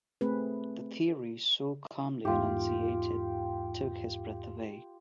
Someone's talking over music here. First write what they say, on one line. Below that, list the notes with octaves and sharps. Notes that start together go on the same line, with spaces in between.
The theory so calmly enunciated took his breath away.
A3 C4 G#4 B4
E2 G#2 F4 G4